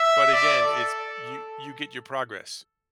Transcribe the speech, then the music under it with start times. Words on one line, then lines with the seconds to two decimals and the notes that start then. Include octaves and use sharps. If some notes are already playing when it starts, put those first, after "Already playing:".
but again, it's you you get your progress,
Already playing: E5
0.33 D5
0.63 A4